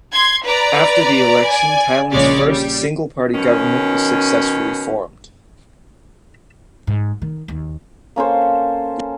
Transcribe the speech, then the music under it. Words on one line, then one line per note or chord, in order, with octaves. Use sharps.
After the election, Thailand's first single party government was successfully formed.
C6 G#6
B4 D5 A#5
D5 G#5
A#1 C#3 G#3 C#5 D5
G3
B2 D#3 C#4
G#2
D#3
D#2
A#3 C#4 A4 C5